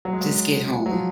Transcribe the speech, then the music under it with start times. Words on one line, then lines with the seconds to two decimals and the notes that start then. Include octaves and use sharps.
Just get home.
0.05 F#3
0.13 G#3
0.21 F#3
0.86 F#3
0.91 F3